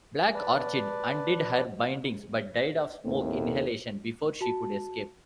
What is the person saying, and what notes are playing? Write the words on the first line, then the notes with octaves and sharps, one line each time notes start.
Black Orchid undid her bindings but died of smoke inhalation before she could escape.
B4 D5 A5
D#2 A2 A3 C4
F#4 A5